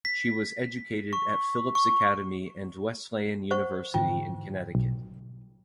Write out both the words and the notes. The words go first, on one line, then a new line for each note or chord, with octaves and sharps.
She was educated at Phillips Academy and Wesleyan University in Connecticut.
B6
C#6
C#6
C5 F#5 C#6
G#2 D3 E3 F4 G5
B1